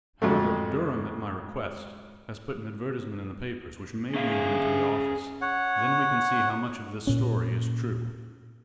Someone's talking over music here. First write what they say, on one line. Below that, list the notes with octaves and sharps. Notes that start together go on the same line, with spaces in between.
However, Durham, at my request, has put an advertisement in the papers which may bring him to the office, then we can see how much of this story is true.
F2 G#2 F#3 A3
C#4 G#4 E5 F5
C#5 F#5
A#2 C#4